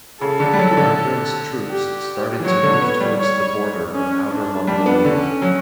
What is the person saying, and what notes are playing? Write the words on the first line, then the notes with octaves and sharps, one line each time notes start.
Ungern's troops started to move towards the border of Outer Mongolia.
C#3 A4
D3
G3
F#3
E3
D3
G4
E3
F#3 C#5
D3
B3
G3
C#5
C#4
D4
G3 D4
B3
D3 C#4
F#3